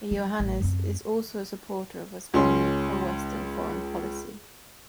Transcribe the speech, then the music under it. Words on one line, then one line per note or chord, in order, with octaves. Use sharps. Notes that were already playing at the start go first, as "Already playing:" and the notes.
Iohannis is also a supporter of a strongly pro-Western foreign policy.
F#3
A1
F#2 C4
C#2 C#4 C6